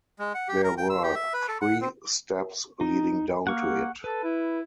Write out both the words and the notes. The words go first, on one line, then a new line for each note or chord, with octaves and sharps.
There were three steps leading down to it.
G#3
F#5
G4
A#4
G5
E6
G4
E5
B4
A4
F#5
C4
D#4
A#3 F#5 C#6 F6
A4 B4
E4